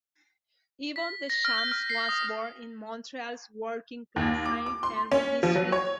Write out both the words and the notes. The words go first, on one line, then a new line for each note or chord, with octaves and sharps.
Yvon Deschamps was born in Montreal's working-class Saint-Henri district.
B6
A#6
F6
G6
F6
C7
D#6
D#2
D6
D6
C6
C#4
F3
F#3
C#5